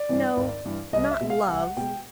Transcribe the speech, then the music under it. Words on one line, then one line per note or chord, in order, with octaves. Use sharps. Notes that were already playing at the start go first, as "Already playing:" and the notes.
No: not love.
Already playing: D5
G2 E3
G#1
G2 E3
C2 D#5
E5
B2 G#3
F5
C2 F#5
B2 G#3 G5